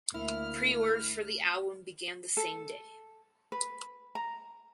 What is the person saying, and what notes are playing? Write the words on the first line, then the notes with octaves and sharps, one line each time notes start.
Preorders for the album began the same day.
D2 A#3 E4 F6
A4
B4
A#5